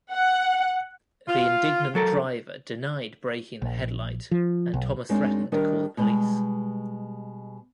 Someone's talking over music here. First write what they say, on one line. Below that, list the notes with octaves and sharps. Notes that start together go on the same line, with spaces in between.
The indignant driver denied breaking the headlight and Thomas threatened to call the police.
F#5
F4
F#3 A4 A#4
A#1
F3
B1
F#2 G#3 C4 D4 D#4
D#3 G3 D4 A#4 D#5
B2 G3 G#3